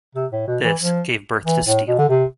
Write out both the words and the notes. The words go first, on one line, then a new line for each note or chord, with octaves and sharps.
This gave birth to Steel.
C3
A2
B2
E3
F3
E3
A2
B2
D3
C3